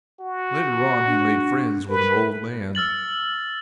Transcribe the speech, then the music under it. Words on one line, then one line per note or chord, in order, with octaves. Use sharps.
Later on he made friends with an old man.
F#4
D4
A#4 B4
E6 F6 A6 F#7